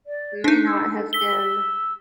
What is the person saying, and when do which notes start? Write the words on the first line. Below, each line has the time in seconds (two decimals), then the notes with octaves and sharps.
may not have been
0.06 D5
0.44 D4 D#4 C5
0.65 E6
0.96 A4
1.13 E6 B6 G7